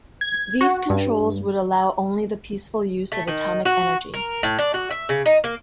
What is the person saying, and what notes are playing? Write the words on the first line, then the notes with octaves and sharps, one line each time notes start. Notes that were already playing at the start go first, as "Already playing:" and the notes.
These controls would allow only the peaceful use of atomic energy.
G#6
F#4
G2
A3
D#3
F#4
A#4
A2
D4
F#4
E5
C#3
D#4
A#3